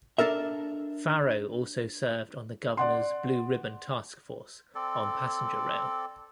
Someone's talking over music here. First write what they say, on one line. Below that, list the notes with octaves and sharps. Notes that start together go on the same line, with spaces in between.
Farrow also served on the Governor's Blue Ribbon Task Force on Passenger Rail.
D4 A4 A#4 E5
D5 F#5 C6
C4 A4 D5